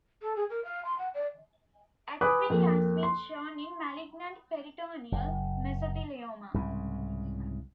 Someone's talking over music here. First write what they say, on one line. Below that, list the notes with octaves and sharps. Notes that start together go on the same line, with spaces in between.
Activity has been shown in malignant peritoneal mesothelioma.
A4
G#4
A#4
F5
C6
F#5
D5
B4 G#5 B5 D6 D#6 F#6
F2 A#3
C6
F#1
C2 G#2 C#3